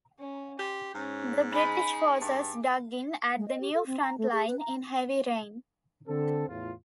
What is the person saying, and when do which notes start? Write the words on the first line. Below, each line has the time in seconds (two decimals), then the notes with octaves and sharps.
The British forces dug in at the new front line in heavy rain.
0.18 C#4
0.59 G4 C6
0.95 G#2 C#4
1.52 G#3 D#4 B5
2.21 G2 D6
3.37 G#3
3.48 D#5
3.60 G4
3.74 A4
3.87 C4
4.01 A#5
4.18 A3
4.32 G#4
4.48 B4
4.60 A#5
6.08 D3 C4 A4
6.48 E2 A2 F4